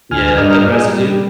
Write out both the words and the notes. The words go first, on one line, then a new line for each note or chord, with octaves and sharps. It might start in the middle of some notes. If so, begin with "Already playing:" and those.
Yeah, the residue
D2 G#5 F6
G2 D4 A#4 D#5 F6
A#3 G#4 D#5
G3